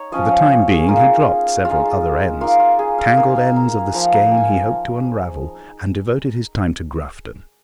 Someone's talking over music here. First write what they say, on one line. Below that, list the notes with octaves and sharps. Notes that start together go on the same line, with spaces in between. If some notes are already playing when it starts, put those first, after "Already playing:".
For the time being he dropped several other ends--tangled ends of the skein he hoped to unravel--and devoted his time to Grafton.
Already playing: D#4 C#5
F3 C#4 F4 D#5
C#5
G#4
A#3 D#4 F4
G#3 D#4 F4
A#3 D#4 F4
F4
G#4
F5
A#3 D#4 F5
G#5
A#5
F3 A#3 F4 A#5
A#5
G#5